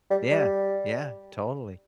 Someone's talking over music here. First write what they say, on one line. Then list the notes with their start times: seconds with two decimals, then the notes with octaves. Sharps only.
Yeah, yeah, totally.
0.10 G3
0.31 G3